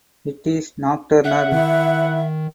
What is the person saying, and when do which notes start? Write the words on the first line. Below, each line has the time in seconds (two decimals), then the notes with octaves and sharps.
It is nocturnal.
1.25 E5 F#5
1.52 D#3 E4